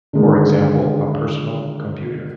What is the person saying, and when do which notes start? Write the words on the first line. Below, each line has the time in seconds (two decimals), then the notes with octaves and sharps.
For example, a personal computer.
0.13 D3 D#3 G#3 A#3 D#4